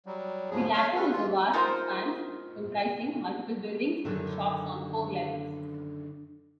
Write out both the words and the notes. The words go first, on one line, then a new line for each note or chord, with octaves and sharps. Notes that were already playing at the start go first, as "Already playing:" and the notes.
The latter was a vast expanse, comprising multiple buildings with shops on four levels.
F#3 G3
D2 G#2 F3 G#4
C#5 F5 F6
C#4 A4 B4
E3 F4
D#4 F4 A#4 C5
F#2 D3 D#3